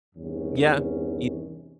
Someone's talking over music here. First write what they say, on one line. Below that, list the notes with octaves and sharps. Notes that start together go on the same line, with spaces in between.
Yeah, you
E2 G2 C3 D#3 C#4